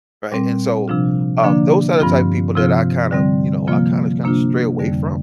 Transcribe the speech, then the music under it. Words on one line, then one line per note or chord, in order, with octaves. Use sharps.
right? And so, um, those are the type people that I kinda, you know, I kinda kinda stray away from,
A#2 G3 C4
C3 F3 D4 F4
D3 F3 A#3 D4
G2 F3 C4 F4
C3 F3 C4 F4
D3 G3 C4
C3 F3 A#3 F4
C3 A#3 D4 F4
F2 D3 G3